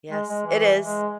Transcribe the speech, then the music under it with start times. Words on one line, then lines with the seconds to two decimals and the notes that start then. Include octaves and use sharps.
Yes, it is.
0.11 G#3
0.29 G#3
0.46 E3
0.82 G#3